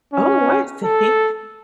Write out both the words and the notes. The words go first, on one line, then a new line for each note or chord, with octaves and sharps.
Oh, I see.
C#4
A4